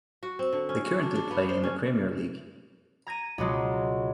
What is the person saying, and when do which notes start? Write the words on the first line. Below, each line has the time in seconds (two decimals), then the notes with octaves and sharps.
They currently play in the Premier League.
0.23 F#4
0.39 C4
0.53 D3
0.69 C#4
0.85 F#4
1.03 D4
1.15 D4
1.31 B3
1.49 C5
1.63 C#4
3.07 A#5 G#6 A#6 D#7
3.38 C#2 B2 F#3 G#3